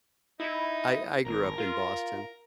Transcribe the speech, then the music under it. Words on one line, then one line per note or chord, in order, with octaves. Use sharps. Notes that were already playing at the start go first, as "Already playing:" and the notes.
I I grew up in Boston.
D#4 E4
G#1 A#4
F4